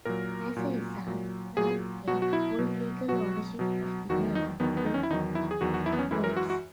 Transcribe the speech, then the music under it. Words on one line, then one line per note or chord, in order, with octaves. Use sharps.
As a result, Clarke gained full legal ownership of the name the Byrds.
A#2 F#3 A#4
A#2 F#3
A#2 F#3
A#2 F#3 G#4
B2 F#3 F#4
F#4
E4
B2 F#3
B2 F#3 F#4
B2 F#3
E2 D#3 F#3 F#4
D#4
E2 D#3 F#3 B3
B3
D#4
C#4
E4
E2 D#3 F#3 D#4
E4
G#4
E2 D#3 F#3 F#4
F#4
E4
B3
C#4
F#2 E3 G#3 E4
A#4
F#4
F#4